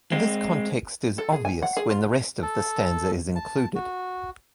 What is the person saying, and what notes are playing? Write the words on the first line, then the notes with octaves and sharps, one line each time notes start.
This context is obvious when the rest of the stanza is included.
G#3 C4
A4
G#4
G#5
F#5
G#4
F4
A4
A5
F#4